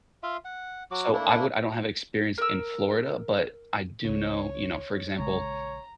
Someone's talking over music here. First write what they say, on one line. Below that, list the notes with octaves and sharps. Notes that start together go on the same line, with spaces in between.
So, I would I don't have experience in Florida, but I do know, you know, for example,
F4 E5 F5 C6
F#5
F#3 F#4 D6
A3 A#3 D4 E4
A#4 E6
C#2 C#3 C#5
A#1 C#3 G#3 C#5 A#5